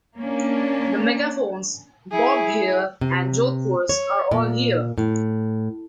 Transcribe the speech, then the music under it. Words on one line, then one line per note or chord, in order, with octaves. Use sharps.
The megaphones, bobbed hair and jodhpurs are all here.
A#3 C#4 D4
E4 G#4
C3
C#5
A#2
A2